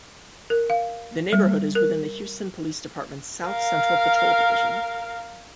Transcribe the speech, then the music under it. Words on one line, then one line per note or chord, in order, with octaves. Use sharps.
The neighborhood is within the Houston Police Department's South Central Patrol Division.
A#4
F5
G3
A#4
A#4 F5